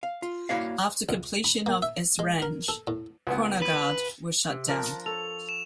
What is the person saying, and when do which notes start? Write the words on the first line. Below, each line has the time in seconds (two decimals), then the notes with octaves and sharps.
After completion of Esrange Kronogard was shut down.
0.03 F5
0.22 F4
0.49 A#3 E4 F#4 C#5 D5 F5
1.09 C#2
1.44 B5
1.66 A#3
1.82 E5
2.19 G#3
2.42 A#4
2.68 A4
2.87 A2
3.27 C#2 B3
3.62 B4
4.49 C3
4.68 F3 D4 A#4
5.06 A4 C#5 F7
5.49 E7